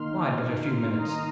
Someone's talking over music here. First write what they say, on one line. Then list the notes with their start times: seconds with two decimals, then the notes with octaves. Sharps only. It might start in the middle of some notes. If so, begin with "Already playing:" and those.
Bide but a few minutes.
Already playing: D#3 A#3 D#4 C6 F6
0.99 A#5 D#6
1.14 A#5